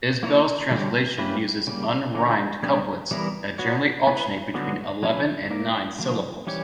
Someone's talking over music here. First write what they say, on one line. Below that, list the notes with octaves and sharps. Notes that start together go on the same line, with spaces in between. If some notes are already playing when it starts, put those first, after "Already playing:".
Isbell's translation uses unrhymed couplets that generally alternate between eleven and nine syllables.
A#3 E4 A#4 C#5
D3 G3 C#4 F#4
A#3 C#4 E4 G4 B4
C#3 G3 A#3
D3 A#3 C#4 F#4
D3 G3 B3 D4 G4
E3 G3 B3 E4 A#4
B3 F#4 C#5
B3 E4 B4
D3 F#3 B3 F#4
F#3 C#4 E4 B4
A#3 E4 A#4
D3 F#3 A#3
E3 G3 C#4 G4 C#5